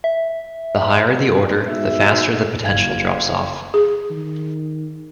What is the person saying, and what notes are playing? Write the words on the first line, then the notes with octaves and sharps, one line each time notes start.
The higher the order, the faster the potential drops off.
E5
B2 G#3 D#4 E5
F#1 F5 G#6
G#4
D#3